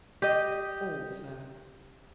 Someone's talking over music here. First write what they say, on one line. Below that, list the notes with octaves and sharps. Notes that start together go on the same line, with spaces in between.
"All, sir."
G4 D#5